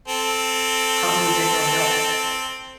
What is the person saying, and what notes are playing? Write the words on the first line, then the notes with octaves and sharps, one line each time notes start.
How do you get your milk?
C4 A4